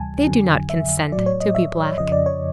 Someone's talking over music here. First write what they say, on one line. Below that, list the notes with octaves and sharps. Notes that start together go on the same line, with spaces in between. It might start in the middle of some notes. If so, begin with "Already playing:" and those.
They do not consent to be black.
Already playing: D2 C3 E3 G3 G#5 A5
F2 D3 F#3
E5
A2 F#3 D5
C#5
D#5
E5
F2 C#3 F3 D#5
D5
C#5